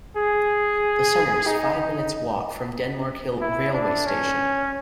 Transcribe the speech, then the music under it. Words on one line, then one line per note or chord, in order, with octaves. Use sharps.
The centre is five minutes walk from Denmark Hill railway station.
G#4
D#4
E4
D4
C#4